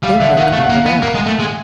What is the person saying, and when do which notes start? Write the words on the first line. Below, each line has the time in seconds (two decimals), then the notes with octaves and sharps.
Then they clambered out.
0.03 G3 F5
0.16 D3 E5
0.28 F#5
0.37 D#3
0.40 F#5
0.52 A3 F5
0.64 F#5
0.69 A#3
0.75 F5
0.86 B3
1.02 A#3
1.14 G#3
1.26 A3
1.39 G#3